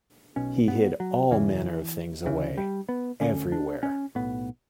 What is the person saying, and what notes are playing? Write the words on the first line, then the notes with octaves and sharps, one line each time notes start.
He hid all manner of things away, everywhere.
B1 B2 C#4
B3
F#3
E1 E2 C#3 E3
D2 C#3 E3
G3
B3
D2 D3 C#4
D4
C#4
B1 A2 B3